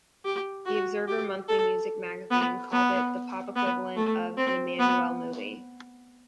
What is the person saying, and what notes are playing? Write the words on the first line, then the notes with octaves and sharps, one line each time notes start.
The Observer Monthly Music magazine called it "the pop equivalent of an Emmanuelle movie".
G4
F#4
G4
A4
B3
B3
B3
A3
C4
B3